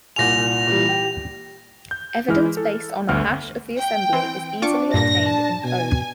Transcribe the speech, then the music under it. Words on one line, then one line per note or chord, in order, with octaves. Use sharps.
Evidence based on a hash of the assembly is easily obtained in code.
C2 A#2 G#5 A#6 F7
A#2 E3 G3
G4
G6
E3 G#3 E4 F6
A4
G1 D2 F6
G5
E3 C4
D4 F4 C#6 D6
G2 A#2 A#6
A5
B2 G#5